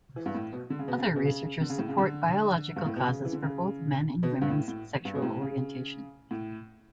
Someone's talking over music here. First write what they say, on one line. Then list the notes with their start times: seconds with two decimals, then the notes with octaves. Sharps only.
Other researchers support biological causes for both men and women's sexual orientation.
0.16 E3
0.26 G2
0.35 A2
0.53 B2
0.70 D3
0.79 C#3
0.88 B2
0.98 C#3
1.16 B2
1.25 C#3
1.61 D3
1.70 C#3
1.78 A2
1.88 C#3
1.98 D3
2.76 G2
2.86 A2
2.96 B2
3.06 C#3
3.25 E3
3.33 D3
3.42 C#3
4.23 B2
4.41 G2
4.50 A2
4.68 A2
5.05 G2
5.15 B2
5.22 A2
5.41 C#3
6.31 A2